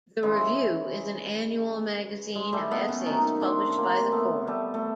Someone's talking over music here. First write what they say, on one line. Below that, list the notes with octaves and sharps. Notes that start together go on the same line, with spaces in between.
The Review is an annual magazine of essays published by the Corps.
C#3 E3 G#3
G#3
G3 A3
A3 B3
B3 C#4
C3 D#3 F#3 C#4 D#4
C4 D4
C#4
A#3 C4
A3 B3
G3 A3
A3